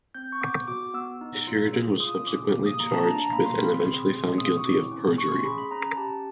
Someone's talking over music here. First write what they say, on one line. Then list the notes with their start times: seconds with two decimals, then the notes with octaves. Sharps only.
Sheridan was subsequently charged with and eventually found guilty of perjury.
0.15 C4 G6
0.32 C#6
0.41 B3 D6
0.68 F#4 D6
0.94 B3 E6
1.21 D#4
1.47 F4
1.74 G#4
2.00 F4 D#6
2.27 C#4 D6
2.53 A#3
2.66 D#6
2.80 A#3 A#5
2.93 A5
3.06 D4 A#5
3.20 A#5
3.32 A#3 B5
3.46 C6
3.59 C4 B5
3.85 G#4 C6
4.12 G#4 C6
4.38 C4 D#6
4.57 C#6
4.65 E4 D6
4.91 C#4
5.18 C#4 C#6
5.32 C6
5.45 G#4 B5
5.58 B5
5.71 C#4 A#5
5.97 G4 A5